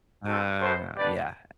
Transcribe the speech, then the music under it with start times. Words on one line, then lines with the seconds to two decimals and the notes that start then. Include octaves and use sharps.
Uh, yeah.
0.24 C4 F#4 A4
0.60 B3 F#4 A4 C5
0.96 B3 D4 G4 B4 D5